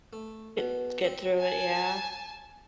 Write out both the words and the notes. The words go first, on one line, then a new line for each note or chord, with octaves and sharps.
Eh, get through it, yeah.
A3
B2
C4
G#5 A5